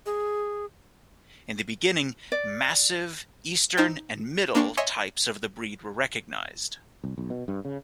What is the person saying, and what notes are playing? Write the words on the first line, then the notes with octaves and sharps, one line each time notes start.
In the beginning, "Massive," "Eastern," and "Middle" types of the breed were recognized.
G#4
D5
D#4 C5 G5
A#3 D4 C6 C#6
C#5 D#5 E5 G#5 C6 C#6
C2
B1
B2
G2
C#3